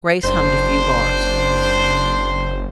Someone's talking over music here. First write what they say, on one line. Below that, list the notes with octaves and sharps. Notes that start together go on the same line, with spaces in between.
Grace hummed a few bars.
F#1 C4 D4 C5